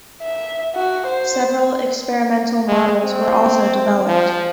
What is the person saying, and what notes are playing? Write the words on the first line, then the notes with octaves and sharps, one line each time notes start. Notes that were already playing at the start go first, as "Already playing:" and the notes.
Several experimental models were also developed.
E5
F#4
C5
G#3
C4
F3